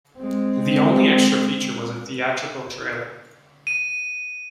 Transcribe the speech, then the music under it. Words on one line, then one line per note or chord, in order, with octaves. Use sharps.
The only extra feature was a theatrical trailer.
G#3 C4
D#7